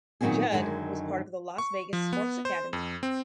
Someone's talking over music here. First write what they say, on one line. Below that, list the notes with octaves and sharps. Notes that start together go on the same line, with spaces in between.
Judd was part of the Las Vegas Sports Academy.
A#2 D#3 F#3 B3 C4 G#4
F#2 D3 D#3 F#3 G#3
C#6
F3
B3
C5
F2
C4